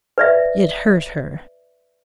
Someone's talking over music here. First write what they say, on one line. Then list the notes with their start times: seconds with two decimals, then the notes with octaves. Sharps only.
It hurt her.
0.18 B4 D5 E5